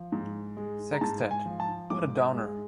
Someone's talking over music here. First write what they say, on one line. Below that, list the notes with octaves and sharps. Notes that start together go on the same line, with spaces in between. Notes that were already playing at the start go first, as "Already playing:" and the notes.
Sextet: What a downer!
Already playing: F3
G#2
G#3
A#5
G#2 A5
G#5
F3
A5
G#2 D6
G#3